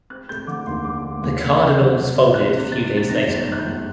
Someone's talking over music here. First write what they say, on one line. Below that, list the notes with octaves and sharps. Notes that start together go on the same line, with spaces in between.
The Cardinals folded few days later.
C4 F#6
A3 G6
D3 D6
D#2 C6
D3 D6
D3
D#2
D3
C3
F#3
F#3
C3
C3 F#6
C3
C3 A6
C3
A6
D#3 A#6
G1
A6
D#3
F#6
G6
G1